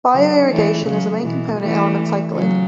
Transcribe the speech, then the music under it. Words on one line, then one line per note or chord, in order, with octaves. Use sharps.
Bioirrigation is a main component in element cycling.
C#3 F#3
E3 A3
C#3 F#3
B2 E3
E3 A3
C#3 F#3